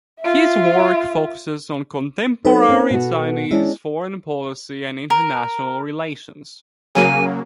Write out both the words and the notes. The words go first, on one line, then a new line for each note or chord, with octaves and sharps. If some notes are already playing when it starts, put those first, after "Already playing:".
His work focuses on contemporary Chinese foreign policy and international relations.
F4 E5
F#3 C4 D#4 A4 B4
C4 C#4
B2 F#4
G#3 C#4 D4 E4
A#4
C#3 F#3 A#3 G#5